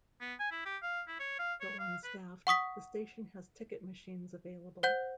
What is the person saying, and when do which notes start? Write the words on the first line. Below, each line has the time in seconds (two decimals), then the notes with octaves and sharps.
Though unstaffed, the station has ticket machines available.
0.21 B3
0.39 G#5
0.51 E4
0.65 G4
0.82 F5
1.08 E4
1.20 C#5
1.39 F5
1.61 C#5
1.79 F5
2.04 B4
2.47 F#5 C#6 D#6 B6
4.83 C5 F#5 G6